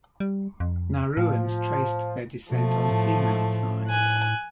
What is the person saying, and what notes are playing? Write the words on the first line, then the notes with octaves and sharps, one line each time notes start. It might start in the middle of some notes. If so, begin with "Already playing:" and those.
Nauruans traced their descent on the female side.
G3
F2
A2 F3
B2 F3 A3
A2
G#5 F#6